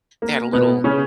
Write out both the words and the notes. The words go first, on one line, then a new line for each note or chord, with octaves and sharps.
they had a little
A#3
B2 B3
C#3 C#4